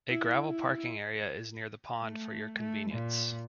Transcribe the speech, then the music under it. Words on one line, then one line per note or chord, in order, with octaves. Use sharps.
A gravel parking area is near the pond for your convenience.
E4
E4
A3
A3
A#2